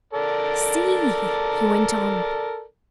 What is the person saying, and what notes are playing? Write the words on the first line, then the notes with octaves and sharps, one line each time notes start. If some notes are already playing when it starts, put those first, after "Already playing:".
"See!" he went on.
A4 A#4 D5